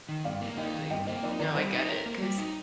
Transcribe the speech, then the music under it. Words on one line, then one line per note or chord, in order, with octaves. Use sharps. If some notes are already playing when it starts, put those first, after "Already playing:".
Literally. No, I get it, 'cause
D#3
G2 D5 F5
A#3
D#4 D#5 G5
D#3
G2 D#5 G5
A#3 C5 D#5
D#4 A#4 D5
D#3 A#4 D5
G3 C5 D#5
D#4
A#4
A#3
G3
D#4